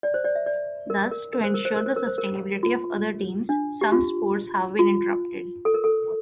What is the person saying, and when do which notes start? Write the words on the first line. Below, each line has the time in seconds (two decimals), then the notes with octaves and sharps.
Thus, to ensure the sustainability of other teams, some sports have been interrupted.
0.03 D5
0.14 C5
0.24 D5
0.35 E5
0.46 D5
0.90 A#4
1.11 A#4
1.33 A#4
1.44 C5
1.54 A#4
1.65 C5
1.76 A#4
1.86 C5
1.96 A#4
2.07 C5
2.18 A#4
2.63 F4
3.49 D4
3.81 G4
3.92 F4
4.79 F4
5.65 A4
5.74 A#4
5.84 A4